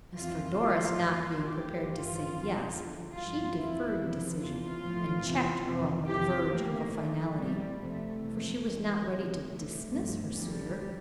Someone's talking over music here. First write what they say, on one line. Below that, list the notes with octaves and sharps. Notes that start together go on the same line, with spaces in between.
As for Doris not being prepared to say "yes," she deferred decision, and checked Earle on the verge of a finality, for she was not ready to dismiss her suitor.
F2 E3 F4
A2 F3 F4
E2 E3 F4
A2 E3 G4
G2 E3 F4
F2 D3 F3
E2 D3 F3
G2 F3 F4
F2 E3 E4
E2 C3 F3
E2 E3 F4
A2 F3
E2 C3 E3
F2 C3 E3
F2 C3 E3 G4
A2 E3 A#3
E2 D3 F3 A3
E2 C3 F3 G3
F2 C3 F3 A3
F2 C3 E3
E2 E3
E2 C3 F3
E2 C3 E3 A3
G2 D3 F3
E2 D3 F3 G3